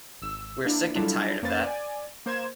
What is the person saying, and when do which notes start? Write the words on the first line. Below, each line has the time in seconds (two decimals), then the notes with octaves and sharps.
We're sick and tired of that.
0.22 G#1 E6
0.64 A#3 D4 E4
0.95 F#3 G3 D4 E4 F4 A4
1.42 F2 A#3 C#4 B4 C5 A6
1.64 D5 G#5
2.26 A#3 C5 C6 G#6 E7